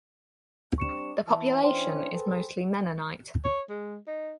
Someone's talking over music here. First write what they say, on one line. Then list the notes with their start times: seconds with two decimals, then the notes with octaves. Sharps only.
The population is mostly Mennonite.
0.78 G3 C4 D4 C#6 C#7 E7
1.28 E3 A5
1.63 E3 C#4 D4 C5 G5 C6
2.12 G#4 A4 B4
3.44 C#5
3.70 G#3
4.07 D#4